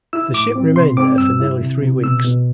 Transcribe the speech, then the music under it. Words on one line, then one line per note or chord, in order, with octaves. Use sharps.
The ship remained there for nearly three weeks.
E4 E6
A2 D6
C4
C3 C6
C4 D6
G2 E6
E4
C3
C3
B2 E6
B2